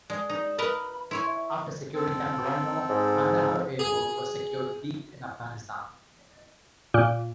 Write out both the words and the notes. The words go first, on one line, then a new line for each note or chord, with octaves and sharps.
After securing Camp Rhino, Kandahar Airport was secured deep in Afghanistan.
G#3 D5
D#4
A#4 B4 D#5 B5
E4 C#5 G#5 C6
E5
C4 A4
G#2
G#4
A#2